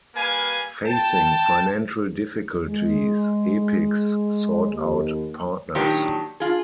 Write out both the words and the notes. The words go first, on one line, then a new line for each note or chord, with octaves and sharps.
Facing financial difficulties, Epyx sought out partners.
G3 A#3 B4 F5 G#5
G5 A5
G#3
D#2
A#2 D#3 F#3 D4 G4
F4 G#4